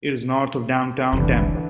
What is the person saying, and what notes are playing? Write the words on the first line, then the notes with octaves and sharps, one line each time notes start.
It is north of downtown Tampa.
F1 C2 F2 D3 E3